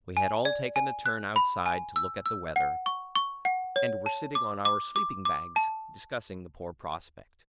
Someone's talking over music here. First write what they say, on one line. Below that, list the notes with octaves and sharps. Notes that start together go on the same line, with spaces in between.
We had all taken a turn outside to look at the weather, and were sitting on our sleeping-bags discussing the poor prospect.
G#5
D5
G#5
F#6
B5
G#5
E6
E6
F#5
C#6
C#6
F#5
C#5
A5
D6
D6
D6
D6
A5